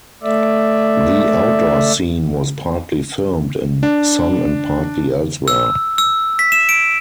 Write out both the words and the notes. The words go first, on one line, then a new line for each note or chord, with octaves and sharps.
The outdoor scene was partly filmed in Son and partly elsewhere.
A3 D5 E5
D4
E6
E6
B6
E7
D7